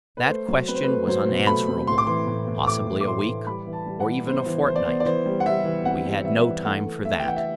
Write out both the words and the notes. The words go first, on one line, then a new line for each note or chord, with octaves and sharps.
That question was unanswerable; possibly a week, or even a fortnight, and we had no time for that.
B4
A3 C5
F#3
C4 B4
C5
A3 B4
F#3 C5
B2
A3 B5
C4
A2 C6
D6
E3 C6
A2
A2
A2 D6
A2
D6
A2 C6
E3
G3 B5
E3
A5
G3
F#5
E3
B3 C5
E3
E3 C5
D5
B3 C5
D5
E3 C5
G3
F#5
G3 E5
E3
C4 F#5
G3
E3 E5
E3
A3 F#5
A3
A3 E5
G5
E3 F#5
E5